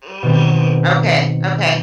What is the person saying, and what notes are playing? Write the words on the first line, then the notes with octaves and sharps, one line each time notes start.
Mm, okay, okay.
B2 D#3 B3 C4
C#7